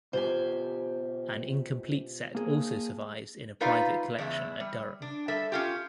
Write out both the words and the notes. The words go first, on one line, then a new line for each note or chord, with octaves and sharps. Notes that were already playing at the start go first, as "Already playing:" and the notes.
An incomplete set also survives in a private collection at Durham.
B2 F4 G4 C5 G#5
A#3 G#4
A3 D#4 F4 B4 D5 F5
E2 C#3 G#3 E5
G3
D4
G3 A4 E5
C#4 F4 G4